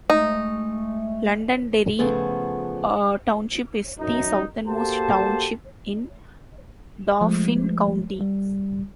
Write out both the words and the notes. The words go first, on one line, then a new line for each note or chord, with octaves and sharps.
Londonderry Township is the southernmost township in Dauphin County.
G#3 A3 D#4
C#3 F3 A3 B3 G#4 C5
F#2 D#4
A#3 F#4 G4 A4 C5 A5
F3 G#3 A3
G3